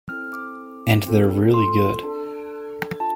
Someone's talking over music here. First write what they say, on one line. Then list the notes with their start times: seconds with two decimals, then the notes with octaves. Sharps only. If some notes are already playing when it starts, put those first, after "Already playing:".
And they're really good.
0.09 C4 E4 A4 F6
0.33 D6
1.06 C4 F4 A4
1.54 C6
2.03 D4 A4
3.00 D4 F4 A5